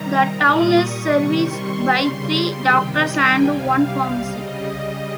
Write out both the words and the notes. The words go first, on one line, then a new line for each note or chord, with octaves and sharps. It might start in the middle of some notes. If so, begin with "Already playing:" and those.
The town is serviced by three doctors and one pharmacy.
Already playing: C3 D#3 G3 A#5
A#2 G3 D#6
C#6
C3 D#3 G3
C6
C#3 G3
C3 D#3 G3 G5
G#5
C3 G3 F5
F5
C#3 G3 D#5